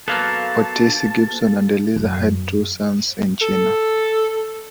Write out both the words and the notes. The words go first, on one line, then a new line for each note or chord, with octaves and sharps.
Otis Gibson and Eliza had two sons in China.
F#3 A#3 B3 A4 F5 A5
F#2
A4